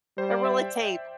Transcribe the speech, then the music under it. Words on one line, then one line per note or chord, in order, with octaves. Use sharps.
A roll of tape.
G3 C5
D5
E5
G5